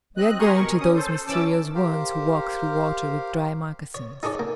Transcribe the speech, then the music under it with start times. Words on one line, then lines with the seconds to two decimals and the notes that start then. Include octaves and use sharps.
We are going to those mysterious ones who walk through water with dry moccasins.
0.17 C4 D#5 F#6
0.40 G4 G#5 A#5 C6 C#6 D#6
0.55 B2 A#4 C#6
0.79 C#4 D#6
0.94 A4 C5
1.27 E3 C#4 A5 D6 E6
1.75 G4 A#4 C5 F5
3.95 C#5
4.23 D#4 G#4 A4 C#5 D5
4.39 A#3